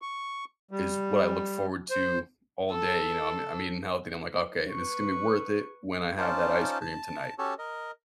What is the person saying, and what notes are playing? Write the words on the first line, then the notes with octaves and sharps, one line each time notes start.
is what I look forward to all day, you know, I'm I'm eating healthy and I'm, like, “Okay, this is gonna be worth it when I have that ice cream tonight,”
C#6
G3
C5
A4
B4 C#6
C#4 D#4 F4 C5 D5 A5
A5
C#4 F#4 G4 A4 C#5 A5
A#4 D#5